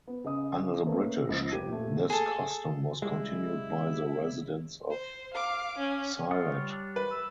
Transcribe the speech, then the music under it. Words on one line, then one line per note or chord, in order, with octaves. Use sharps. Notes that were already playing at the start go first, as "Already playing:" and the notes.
Under the British this custom was continued by the Residents of Sylhet.
B3
C#3 D#5 D#6
A3 A#3 C#4 A4 B4
C#2 F3
F1 G4 G#6 D#7
A#2 A3
G#4 A4
C#3 G3 G#3 E4
C5
F5 D6
C#4
F4 F#5 D#6
G3 C#5
D4
B4
E6